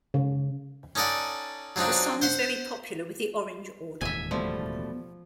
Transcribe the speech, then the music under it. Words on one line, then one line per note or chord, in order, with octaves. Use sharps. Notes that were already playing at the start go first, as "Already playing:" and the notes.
The song is very popular with the Orange Order.
C#3
C#4 D#4 A4 D5 F#5
F#3 C4 D4 D#4 F4
C5 F#5 C6
E1 D#2 A2 E5 G#5
B2 F3 G3 A3